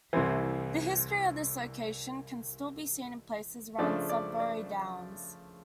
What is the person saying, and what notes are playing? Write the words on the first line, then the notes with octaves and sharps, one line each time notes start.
The history of this location can still be seen in places around Sudbury Downs.
C2 C3 E3 C5
C#3 F3 A3 D4 D5
D5
D5